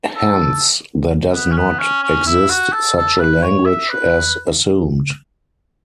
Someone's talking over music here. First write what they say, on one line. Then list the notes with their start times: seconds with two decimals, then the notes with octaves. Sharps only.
Hence, there does not exist such a language as assumed.
0.16 A4
1.33 B3
1.51 C#4
1.57 B3
1.79 C#4
2.03 C#4
2.26 E4
2.50 F#4
2.73 A4
2.96 A4
3.19 B4
3.43 C#5
3.66 E5
3.90 B4